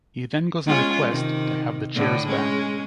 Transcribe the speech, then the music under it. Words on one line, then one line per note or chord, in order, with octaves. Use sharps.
He then goes on a quest to have the chairs back.
G#3 C#4 F4
C3 D#3
A2 D3
G#3 C#4